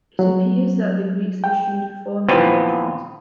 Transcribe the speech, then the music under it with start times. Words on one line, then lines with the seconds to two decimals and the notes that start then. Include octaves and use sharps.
It appears that the Greeks issued four main contracts.
0.19 F#3
1.44 G5
2.28 A#1 D#2 E3 F3 B3 C4